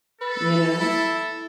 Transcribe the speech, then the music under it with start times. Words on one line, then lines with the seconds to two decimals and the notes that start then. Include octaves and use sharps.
you know?
0.22 A4 B4
0.81 E4